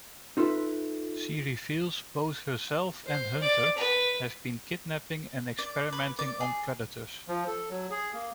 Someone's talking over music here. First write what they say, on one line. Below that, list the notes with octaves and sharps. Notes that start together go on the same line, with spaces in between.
She reveals both herself and Hunter have been kidnapping and experimenting on Predators.
D#4 F4 A4 B4 E5
C5
D5
B4
D5
B4
D5
G#4
F3
A4
F#3
G#4
A#3